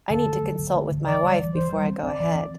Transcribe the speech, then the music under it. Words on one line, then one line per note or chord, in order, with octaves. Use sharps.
I need to consult with my wife before I go ahead.
D3 A4
A3
F#3
D3
A3
D3
E3 D5
G3
E3
E3 C5
G3
C4
C4 D5
E3
C4